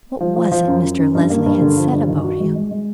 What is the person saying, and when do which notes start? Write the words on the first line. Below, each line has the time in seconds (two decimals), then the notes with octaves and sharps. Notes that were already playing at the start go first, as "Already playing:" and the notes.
What was it Mr. Leslie had said about him?
0.20 F3
0.36 F3
0.51 F3
0.68 F#2
0.83 F#2
0.99 F#2
1.15 G2
1.30 A#3
1.46 G2
1.61 D3
1.77 F3
1.93 G2
2.08 D#3
2.24 F#4
2.40 G#3
2.55 G#3
2.71 G#3